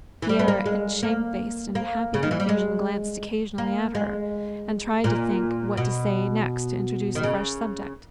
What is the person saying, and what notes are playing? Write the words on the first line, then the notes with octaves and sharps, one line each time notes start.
Pierre in shamefaced and happy confusion glanced occasionally at her, and tried to think what to say next to introduce a fresh subject.
E3
G3
B3
A#3
G#3
A#3
A#3
C#3
D#3
E3
G3
G#3
A#3
G#3
A#2
B2
D#3
C#3